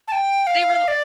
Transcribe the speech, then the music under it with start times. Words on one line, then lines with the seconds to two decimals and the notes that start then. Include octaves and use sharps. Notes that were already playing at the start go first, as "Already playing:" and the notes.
They were l
0.08 A5
0.12 G5
0.47 F5
0.88 D5